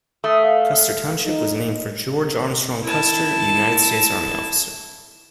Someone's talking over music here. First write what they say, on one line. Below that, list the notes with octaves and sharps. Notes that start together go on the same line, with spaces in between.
Custer Township was named for George Armstrong Custer, a United States Army officer.
A3 D#6
F5
D#4
E4 A5